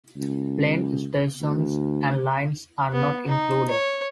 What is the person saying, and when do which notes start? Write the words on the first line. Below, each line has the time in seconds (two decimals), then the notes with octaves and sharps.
Planned stations and lines are not included.
0.17 C#2
1.41 D2
2.92 B3
3.27 D#4
3.70 C#5